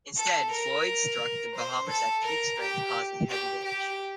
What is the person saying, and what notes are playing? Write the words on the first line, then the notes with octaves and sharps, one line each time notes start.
Instead, Floyd struck The Bahamas at peak strength, causing heavy damage.
A4
A#4
C5
A4
A#4
G4
G4
G4